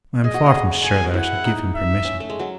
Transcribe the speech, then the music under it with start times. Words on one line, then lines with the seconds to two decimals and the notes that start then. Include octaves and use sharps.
I am far from sure that I shall give him permission.
0.24 G#4 D#5
0.34 F#4
0.46 G#4
0.84 A4 G#5
0.94 G#4
1.04 F#4
1.14 E4 F#5
1.45 D#4
1.75 E5
2.05 C#4
2.20 A3
2.30 G#3
2.39 F#3